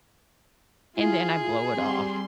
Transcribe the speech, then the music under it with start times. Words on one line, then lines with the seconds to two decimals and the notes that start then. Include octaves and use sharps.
and then I blow it off.
0.97 E4 F4 G#4
1.76 G3 C4 C6